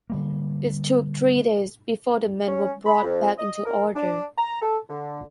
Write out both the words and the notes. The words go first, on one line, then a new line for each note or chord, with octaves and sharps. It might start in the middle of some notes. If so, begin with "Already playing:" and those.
It took three days before the men were brought back into order.
D3 G3 A#3
C#4
B5
F2
D#5
A#4
D4
A#5
A4
D3